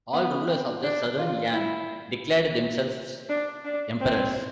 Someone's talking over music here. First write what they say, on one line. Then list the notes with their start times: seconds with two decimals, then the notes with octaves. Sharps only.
All rulers of the Southern Yan declared themselves "emperors".
0.13 B3
0.48 C4
0.83 D4
1.18 F4
1.53 E4
3.29 D4
3.65 D4
4.00 C4